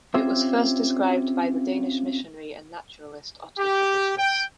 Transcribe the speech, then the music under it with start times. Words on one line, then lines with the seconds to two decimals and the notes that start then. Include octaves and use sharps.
It was first described by the Danish missionary and naturalist Otto Fabricius.
0.14 C4 C#4 F4 G4 C5 E5
3.59 G4
4.18 G5